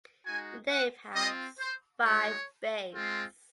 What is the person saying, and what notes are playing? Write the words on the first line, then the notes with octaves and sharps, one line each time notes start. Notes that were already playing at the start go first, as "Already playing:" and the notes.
The nave has five bays.
G#3 D#4 F#4 G#5
F#5
C4 F4 D#5
C5
G#3 D#4 F#4 C#5
G#3 C4 F4